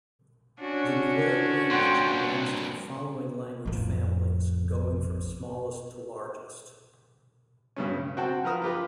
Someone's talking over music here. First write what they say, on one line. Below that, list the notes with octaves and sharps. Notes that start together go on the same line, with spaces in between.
The Nuer language belongs to the following language families, going from smallest to largest.
C#4 D4 F#4
G2 A#2 C5 F#5 G5
A1 F2
G2 B2 C#4
C#3
C4 F#4 F#5 G5 A5
F3 A#4 B4 A#5 D#6 F6
F4 G4 B4